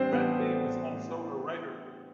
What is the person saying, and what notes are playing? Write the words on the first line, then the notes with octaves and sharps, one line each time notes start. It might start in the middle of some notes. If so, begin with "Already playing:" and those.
Bratby was also a writer.
Already playing: A1 G3 C4 D4 C5
A1 B3 B4
A1 A4
A1
A2